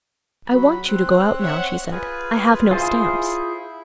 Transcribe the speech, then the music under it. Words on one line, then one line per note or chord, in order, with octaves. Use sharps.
"I want you to go out now," she said, "I have no stamps."
F#3 B5
C4 F#6
C#5 E5 F#5
F4 G#4 B4
E4 F4 G#4 C5